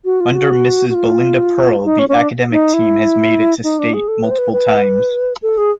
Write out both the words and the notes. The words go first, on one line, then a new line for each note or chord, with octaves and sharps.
Under Mrs. Belinda Pearl the Academic team has made it to state multiple times.
F#4
F4
F#4
F#4
F4
D#4
C#4
C#4
D4
D#4
E4
D#4
D4
G#4
A4
B4
C5
B4
B4
A4
G#4